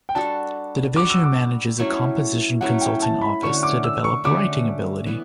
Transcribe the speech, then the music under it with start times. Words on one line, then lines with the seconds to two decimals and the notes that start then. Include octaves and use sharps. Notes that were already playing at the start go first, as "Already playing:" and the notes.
The division manages a composition-consulting office to develop writing ability.
0.09 G5
0.15 G3 D4 F#4 A4 A5
0.96 G3 D4 F#4 A4 D6
1.10 E6
1.24 D6
1.79 F#3 A3 C#4 E4
2.61 F#3 A3 C#4 E4 F#5
2.81 G5
3.02 A5
3.22 B5
3.42 D3 A3 C#4 F#4 C#6
3.63 D6
3.84 E6
4.04 C#6
4.24 D3 A3 C#4 F#4 D6
5.06 E3 B3